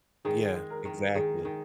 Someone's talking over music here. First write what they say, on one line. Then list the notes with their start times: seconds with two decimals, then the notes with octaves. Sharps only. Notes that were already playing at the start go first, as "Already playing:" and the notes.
Yeah. Exactly.
0.25 D#3 G#4
0.55 G#3
0.70 A#4
0.85 D#3
1.15 D#3 G#4
1.45 D#3